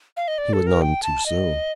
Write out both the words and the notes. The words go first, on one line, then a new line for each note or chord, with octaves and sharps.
He was none too soon.
F5
D#5
D5
A4
A#4
G5
A5
D#5